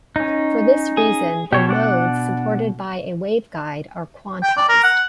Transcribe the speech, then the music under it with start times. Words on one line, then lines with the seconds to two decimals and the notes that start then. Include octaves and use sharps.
For this reason, the modes supported by a waveguide are quantized.
0.16 C#4 D#4
0.97 G#4
1.53 B2 G4 C#5
1.69 D4 D5 F#5
4.43 G5
4.57 D5
4.69 A#4
4.83 F#5